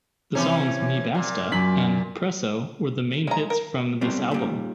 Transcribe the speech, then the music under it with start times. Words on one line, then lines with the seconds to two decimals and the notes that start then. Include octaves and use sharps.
The songs "Me basta" and "Preso" were the main hits from this album.
0.35 C3 E3 C#4
1.15 A#2
1.52 F#2 B6 F#7
3.27 G#3 A#5
3.50 A#4
4.01 B2 G3 C4
4.31 A#2 G3